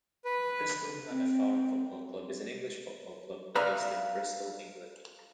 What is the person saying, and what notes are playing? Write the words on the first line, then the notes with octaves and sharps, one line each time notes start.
Bristol Manor Farm Football Club is an English football club based in Bristol, England.
B4
C4
B4 D5 E5 F5 A#5